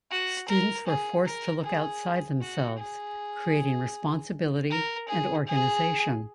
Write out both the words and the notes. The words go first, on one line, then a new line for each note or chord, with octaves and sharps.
Students were forced to look outside themselves, creating responsibility and organization.
F#4
A#4
G#4
A#4
G#4
F#4
G#4
A#4
G#4
G#4